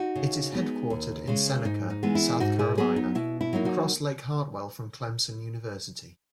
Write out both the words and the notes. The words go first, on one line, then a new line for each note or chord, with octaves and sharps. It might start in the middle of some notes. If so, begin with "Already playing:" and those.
It is headquartered in Seneca, South Carolina, across Lake Hartwell from Clemson University.
Already playing: D#4 F#4
C#3
G#3 B3 D#4
D#2
C#3 G#3
G#2 D#4
D#4
E3 G#3 B3
E4
G#2 D#4 F#4
E4 G#4
F#3 B3 G#4 B4
D#4
B2 E4
E4
F#3 A#3 D#4
D#4 F#4